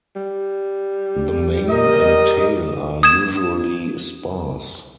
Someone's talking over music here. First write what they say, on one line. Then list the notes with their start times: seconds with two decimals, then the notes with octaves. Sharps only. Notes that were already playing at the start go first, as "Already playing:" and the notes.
The mane and tail are usually sparse.
0.16 G3
1.70 A#4 D#5
3.03 D#6 G#6 E7